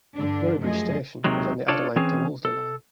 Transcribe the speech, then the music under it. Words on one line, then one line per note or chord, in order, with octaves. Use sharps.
Murray Bridge station is on the Adelaide to Wolseley line.
G2 D3 D4
F#2 C3 F3 A3 G#4 D#5
D#2 C3 D#3 F#3 G#3
D4 F4 A4 C#5 D5
E3 C4 C#4 G#4
A4